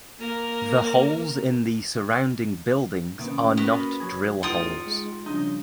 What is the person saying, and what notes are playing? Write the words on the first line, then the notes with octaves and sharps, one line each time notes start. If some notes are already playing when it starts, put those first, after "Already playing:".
The holes in the surrounding buildings are not drill holes.
A#3 A#4
C3 D#3 A#3 B3 C#4
B3 F#4 A#4 B4
F#3 F#4 G#4
A1 D#4 F4 F#5 G5 D#6
G#3
C#3 F3 G3 D4 D#4